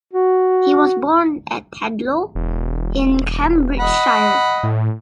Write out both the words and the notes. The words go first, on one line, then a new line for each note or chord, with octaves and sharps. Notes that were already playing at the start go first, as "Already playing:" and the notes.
He was born at Tadlow, in Cambridgeshire.
F#4
E1
D#5 F#5 B5
A2